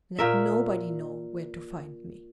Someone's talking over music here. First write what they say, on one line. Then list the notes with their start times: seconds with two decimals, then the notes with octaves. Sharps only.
"Let nobody know where to find me."
0.19 A#2 A#4 E5